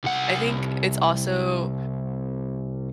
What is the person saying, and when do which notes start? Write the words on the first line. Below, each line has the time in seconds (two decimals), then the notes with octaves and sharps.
I think it's also
0.04 C2 F#5